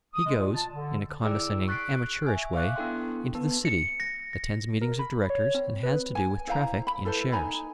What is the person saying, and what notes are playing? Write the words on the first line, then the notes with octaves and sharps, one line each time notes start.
He goes, in a condescending amateurish way, into the City, attends meetings of Directors, and has to do with traffic in Shares.
D#6
G#3
A#2
A5
D3
E4 G#4 D5 G5 D6 E6
C#6 F#6 A6 B6 C7 D7
E5 G#5
E5 F5 C#6 D6 F#6
B3 D4 E4 A4 G5 C6
B3 B4 A5
C#7
A#6
A#6
A#4
B5
C#5
C4
B4
G#5
E4 C5 F5 A#5
B5
E4 A4 B4 C5
D#4 G#5 A#5 B5